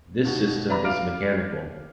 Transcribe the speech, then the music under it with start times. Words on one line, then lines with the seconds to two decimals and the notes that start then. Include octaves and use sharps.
This system is mechanical.
0.25 D#2 B2
0.69 B4 D5 E5 A#5 B5
0.85 F5 D6 F6 D7